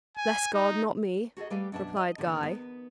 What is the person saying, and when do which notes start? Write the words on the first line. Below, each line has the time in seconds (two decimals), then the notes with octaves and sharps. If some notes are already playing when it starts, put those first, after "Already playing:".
"Bless God, not me," replied Guy.
0.17 G#5
0.53 D#4
1.37 F#4 G#4 A4 D#5
1.50 G3 A3 G4 B4 F5 G#5
1.72 F#2 B2 D4 B4 E5 A5
1.97 D#5
2.18 E2 A#2 D3
2.43 B3 D#4 A#4 B4